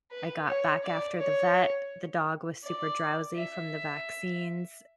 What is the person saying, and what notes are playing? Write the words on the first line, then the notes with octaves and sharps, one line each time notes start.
I got back after the vet, the dog was super drowsy from the vaccines
B4
C#5
D5
C#5
D5
E5